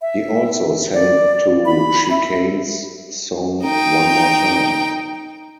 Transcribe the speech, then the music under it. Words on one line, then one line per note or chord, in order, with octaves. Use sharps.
He also sang to Chicane's song "One More Time".
E5
D5
B5
E5
D#4 G5